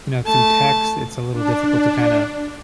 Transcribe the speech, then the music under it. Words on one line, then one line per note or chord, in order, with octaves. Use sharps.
you know, through text, it's a little difficult to kinda,
A3 A5
D4